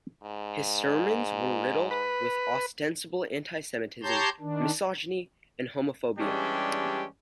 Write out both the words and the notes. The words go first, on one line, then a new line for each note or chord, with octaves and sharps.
His sermons were riddled with ostensible anti-Semitism, misogyny, and homophobia.
G#2
B4
G4 C#5 A5 A#5 C6 G6
D#3 D4
E3 G3 G#3 C#4 D4 G4